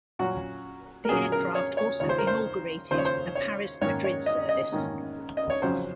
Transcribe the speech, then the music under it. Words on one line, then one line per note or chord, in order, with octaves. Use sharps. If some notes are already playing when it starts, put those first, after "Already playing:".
The aircraft also inaugurated a Paris-Madrid service.
A#2 F#3 C#4 F#4
A#4
A#2 F#3 C#4 G#4
A#4
C#5
C#5
D#2 C#3 F3 C#5
C5
A#4
C5
D#2 C#3 F3 C5
C#5
C5
C#5
G#2 D#3 A#3 C#4 C#5
C#5
D#5
D#5
G#2 D#3 A#3 C#4
D#5
C#5
F2 C#3 F#3 C#4 C5